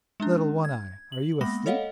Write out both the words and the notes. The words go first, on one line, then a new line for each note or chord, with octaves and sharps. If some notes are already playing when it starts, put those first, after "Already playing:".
Little One-eye, are you asleep?'
G#3 C#4 D4
G#6
F#7
G#3 A#3 B3 B5 A#6
A4 C#5 D#5 F5 F#5